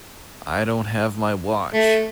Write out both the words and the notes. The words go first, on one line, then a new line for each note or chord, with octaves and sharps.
I don't have my watch.
A3